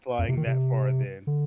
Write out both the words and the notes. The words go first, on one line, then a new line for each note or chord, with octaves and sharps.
flying that far then.
F2
C3
D#3
C3
D3